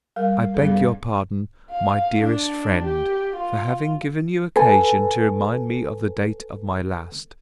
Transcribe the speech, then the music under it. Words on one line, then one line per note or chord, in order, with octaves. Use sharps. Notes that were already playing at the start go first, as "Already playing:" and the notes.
I beg your pardon, my dearest friend, for having given you occasion to remind me of the date of my last.
G3 A#4 F5
G2 G3 B3 G#4 A4
F5
D4
G4
F4
A4 B4 G#5